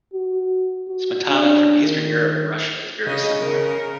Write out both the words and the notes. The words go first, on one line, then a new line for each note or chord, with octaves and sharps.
"Smetana" from Eastern Europe and Russia is very similar.
F#4
F#4
D4
D#3
C#3 D#5
C#3 A#4